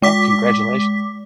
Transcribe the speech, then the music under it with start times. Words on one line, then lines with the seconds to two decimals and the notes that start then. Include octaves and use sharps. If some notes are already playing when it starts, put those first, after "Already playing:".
Oh, congratulations.
0.02 G#3 D6 B6